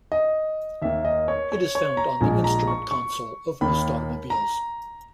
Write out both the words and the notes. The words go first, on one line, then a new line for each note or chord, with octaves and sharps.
It is found on the instrument console of most automobiles.
D#5
D#2 D#3 A#3 E5
D#5
C#5
C#5
C#5
A#5
A#1 A#2 G#3 G#5
A#5
C#6
C#6
D#2 D#3 A#3 B5
A#5